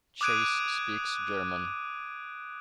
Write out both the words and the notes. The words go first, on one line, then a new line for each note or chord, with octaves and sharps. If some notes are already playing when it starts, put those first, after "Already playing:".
Chase speaks German.
D6 D#6 F#6 G#6 D7 D#7